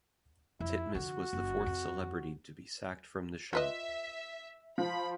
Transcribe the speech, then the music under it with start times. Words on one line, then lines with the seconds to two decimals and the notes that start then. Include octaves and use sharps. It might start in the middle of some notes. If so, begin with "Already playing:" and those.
Titmuss was the fourth celebrity to be sacked from the show.
0.60 F2 E4
0.95 F2 D3 F#4
1.33 F#1
1.66 F2
3.53 F4 B4 D#5 E5
4.78 F3 B5